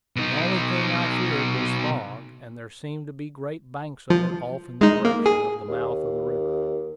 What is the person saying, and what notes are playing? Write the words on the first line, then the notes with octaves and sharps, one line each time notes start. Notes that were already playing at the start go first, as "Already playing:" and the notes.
The only thing I feared was fog, and there seemed to be great banks of it off in the direction of the mouth of the river.
B2 D#4
F3
G#3 D#4
A#3
G#4
D#2